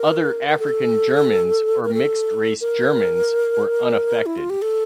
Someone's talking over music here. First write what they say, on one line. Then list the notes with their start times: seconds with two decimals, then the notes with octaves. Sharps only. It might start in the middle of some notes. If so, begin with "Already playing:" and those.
Other African-Germans or mixed race Germans were unaffected.
Already playing: A#4
0.49 A#4
0.59 A4
1.85 A#4
1.94 A4
2.61 A#4
4.26 E4
4.38 F4
4.50 G4
4.62 A4